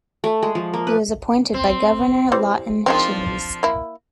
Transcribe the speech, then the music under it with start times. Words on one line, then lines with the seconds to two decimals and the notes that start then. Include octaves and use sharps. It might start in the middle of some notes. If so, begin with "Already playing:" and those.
He was appointed by Governor Lawton Chiles.
0.24 A3
0.43 G#3
0.55 F3
0.74 A#3
0.87 B4
1.54 C4
2.32 E3 G3 C5
2.86 D#3 F3 G#3 C4 D4 F4
3.63 A#3 E4